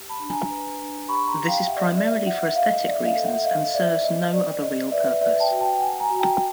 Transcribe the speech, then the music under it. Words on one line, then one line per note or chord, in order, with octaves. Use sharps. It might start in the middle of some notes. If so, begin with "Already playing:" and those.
This is primarily for aesthetic reasons and serves no other real purpose.
Already playing: G4
A5 B5
D4
G#5 A#5
B4
D4
G4 B5 C#6
A#5 C6
G4
F5 G5
G4 E5 F#5
D5
D#5
C5 D5 E5
D5 E5
E4 E5 F#5
E5 F#5
A4 D#5 F5
D#5 F5
C5 D5 E5
D#5 F5
A4
E5 F#5
C5 D#5 F5
C5 D5 E5
C5 D#5
C5 D5
D5 D#5
B4 D5 E5
B4 D5 E5
G5 A5
F#4
G5 A5
F#4 F#5 G#5
G#5 A#5
F#4
A#5
G5 A5